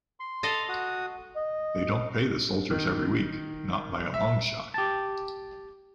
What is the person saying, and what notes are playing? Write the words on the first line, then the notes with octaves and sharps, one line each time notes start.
They don't pay the soldiers every week. Not by a long shot.
C6
A4 D#5 F5
F#4 D#6
D#5
D#3
E5
G4 A5